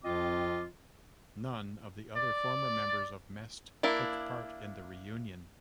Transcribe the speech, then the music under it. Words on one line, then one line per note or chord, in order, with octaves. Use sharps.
None of the other former members of Mest took part in the reunion.
F2 F3 C4 F4 D#5 D6
D5
A#3 D4 E4